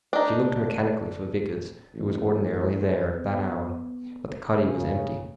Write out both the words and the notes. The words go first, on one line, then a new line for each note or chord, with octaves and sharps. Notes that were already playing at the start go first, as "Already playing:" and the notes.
She looked mechanically for Vickers, who was ordinarily there at that hour, but the cuddy was empty.
D4 D#4
A1
B3
C#3